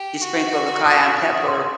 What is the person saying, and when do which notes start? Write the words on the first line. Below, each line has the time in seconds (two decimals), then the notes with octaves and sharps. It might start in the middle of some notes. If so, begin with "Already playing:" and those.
You sprinkle the cayenne pepper
Already playing: G4
0.21 F#4
0.85 D#6
1.17 D#6
1.32 D#6
1.48 C6